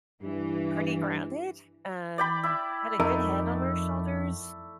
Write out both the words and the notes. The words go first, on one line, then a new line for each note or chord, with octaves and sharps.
pretty grounded, um, had a good head on her shoulders.
G2 E3
D5 G5 B5
E4
F2 A3 D#4 A#4